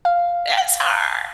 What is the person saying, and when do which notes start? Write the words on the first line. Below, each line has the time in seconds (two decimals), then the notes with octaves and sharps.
That's hard.
0.05 F5